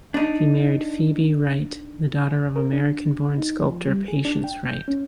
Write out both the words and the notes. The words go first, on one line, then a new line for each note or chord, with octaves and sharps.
He married Phoebe Wright, the daughter of American-born sculptor Patience Wright.
D4 D#4
A#4
D4
D#4
F3
G3
G#4
D4
G5
G6
C#4